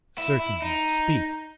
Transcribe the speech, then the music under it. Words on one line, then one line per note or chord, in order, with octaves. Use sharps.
"Certainly, speak."
E4
E4
D#4